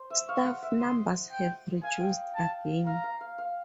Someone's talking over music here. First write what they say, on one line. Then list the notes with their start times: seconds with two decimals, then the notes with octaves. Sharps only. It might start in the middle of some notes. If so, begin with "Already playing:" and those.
Staff numbers have reduced again.
Already playing: C5
0.10 E5
0.28 F5 C#6
0.46 F#5
0.62 E5
0.80 D#5 C6
1.32 G5
1.83 F5 G#5
2.00 G5
2.35 A5
2.86 F5 A#5
3.04 F5
3.21 F5
3.38 F5